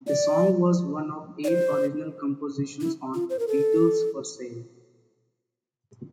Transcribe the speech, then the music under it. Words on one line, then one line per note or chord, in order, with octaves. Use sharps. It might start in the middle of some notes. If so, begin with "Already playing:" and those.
The song was one of eight original compositions on "Beatles for Sale".
D5
D5
C5
E4
F4
C5
A#4
A4